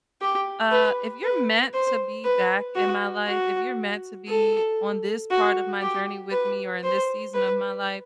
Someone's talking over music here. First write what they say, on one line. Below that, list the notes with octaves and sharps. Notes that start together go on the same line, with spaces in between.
uh, if you're meant to be back in my life, if you're meant to be on this part of my journey with me or in this season of my life,
G4
B4
B4
C5
B4
F#4
F#4
A4
F#4
G4
B4
C5
B4